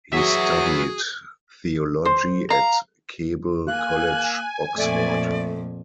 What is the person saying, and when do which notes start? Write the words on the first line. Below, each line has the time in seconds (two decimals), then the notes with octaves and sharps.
He studied theology at Keble College, Oxford.
0.13 F#3 B3 F#4 G#4 E5
2.05 C5
2.50 F5 A#5
3.67 A#3 G#5 F#6
4.77 F2 A#2 A3 D5